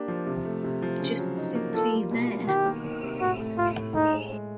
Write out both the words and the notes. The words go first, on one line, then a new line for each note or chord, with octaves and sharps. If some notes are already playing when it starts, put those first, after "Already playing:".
Just simply 'there.'.
Already playing: A#3 D4 G4
F3
C3
A3
C3
F3
C#3
F#3
D#4
A#3
F4 A4
G3
B2
B2
D#3 G4
A#3
D#3
C3
A2 F#4
A3
A2 F4
A2
G#3 D#4
G#3
G#3